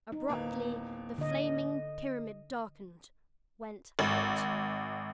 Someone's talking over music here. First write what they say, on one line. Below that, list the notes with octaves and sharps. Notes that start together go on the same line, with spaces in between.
Abruptly the flaming pyramid darkened--WENT OUT.
D#4
D1 A#3 B3
D3 D#5
G#1